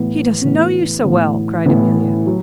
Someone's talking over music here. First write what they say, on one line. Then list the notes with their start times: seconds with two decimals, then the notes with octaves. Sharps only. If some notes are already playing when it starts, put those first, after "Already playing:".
"He doesn't know you so well," cried Amelia.
Already playing: A2 E3 B3
0.42 A2 E3 B3
1.04 A2 E3 B3
1.65 A2 E3 B3
2.26 F#3